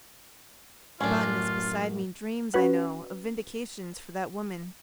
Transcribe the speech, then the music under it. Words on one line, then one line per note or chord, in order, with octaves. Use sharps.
The botanist beside me dreams, I know, of vindications for that woman.
A1 F#2 C#4 D4 F4
C#4 F#4 B4 F#5